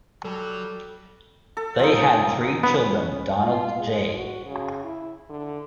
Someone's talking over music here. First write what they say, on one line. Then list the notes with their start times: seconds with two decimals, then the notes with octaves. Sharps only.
They had three children, Donald J.
0.25 F#3 G3 A4
1.57 A4
1.79 F3 D#4
2.63 B3 B5
2.94 C#4
3.44 F4
3.79 G#3
4.14 F#4
4.45 C#3
4.84 E4
5.29 D3